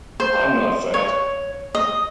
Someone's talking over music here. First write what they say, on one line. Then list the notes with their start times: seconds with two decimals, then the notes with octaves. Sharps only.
I'm not fat.
0.20 C5
0.94 C#5
1.75 D#5